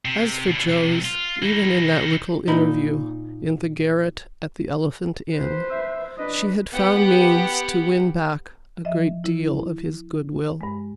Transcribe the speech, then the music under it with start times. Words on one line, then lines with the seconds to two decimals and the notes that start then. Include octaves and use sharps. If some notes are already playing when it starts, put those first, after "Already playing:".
As for Jos, even in that little interview in the garret at the Elephant Inn, she had found means to win back a great deal of his good-will.
0.05 C3
0.48 B2 D3
0.69 B1 C3
1.05 F4
1.42 E3 D#4
2.47 A#2 D#4 B5
5.34 B4 C5
5.70 E5
6.18 D4 B4 D#5
6.71 B3 G4 F#5 G5
8.85 F3 D#5 E5
9.24 E4
10.61 G2 G#3